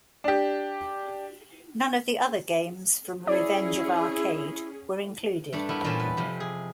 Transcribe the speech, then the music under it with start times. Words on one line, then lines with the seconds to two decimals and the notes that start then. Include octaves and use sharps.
None of the other games from "Revenge of Arcade" were included.
0.24 D4 G4
3.27 C#4 E4 G#4 D5
5.53 G2 A3 D4
5.69 B3 E4 G4 A#4
5.84 E2 A#2 B3 C#4 C5 A5
6.00 B4
6.17 F2 C3 G4
6.40 G#4